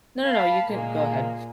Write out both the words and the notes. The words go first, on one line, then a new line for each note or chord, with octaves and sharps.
No, no, you can go ahead.
F5 A5 B5
A#2 G#3 A#3